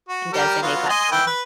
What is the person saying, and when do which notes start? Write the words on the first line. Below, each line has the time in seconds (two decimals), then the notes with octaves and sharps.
and designate that time.
0.08 F#4
0.33 G3 G4 A#4
0.62 F#3 B3 F4
0.90 D#5 G#5 C6
1.12 E3 G5 B5
1.27 B4